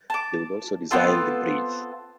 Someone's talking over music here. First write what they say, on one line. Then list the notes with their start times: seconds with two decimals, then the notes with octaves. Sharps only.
They would also design the bridge.
0.10 A5 D6
0.91 B3 C4 F4 A4